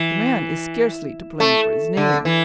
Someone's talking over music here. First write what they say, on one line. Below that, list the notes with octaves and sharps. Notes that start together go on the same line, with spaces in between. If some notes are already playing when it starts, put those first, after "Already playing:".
The man is scarcely to blame for his name.'
Already playing: E3
A3
D3
E3